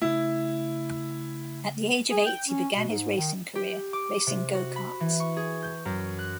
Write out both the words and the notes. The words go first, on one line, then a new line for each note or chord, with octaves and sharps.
At the age of eight, he began his racing career, racing go-karts.
C#3 A3 E4
G#4
G5
C#4
B2
G#2
D#3
G4
D6
C3
F#4
B5
E3
C#6
G#4
G6
F#2
F#6